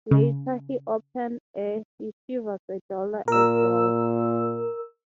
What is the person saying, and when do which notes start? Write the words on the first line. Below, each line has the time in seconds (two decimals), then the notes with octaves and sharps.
Later he opened a "Yeshiva Gedola" as well.
0.11 C#3
3.28 A#2 A#4 E6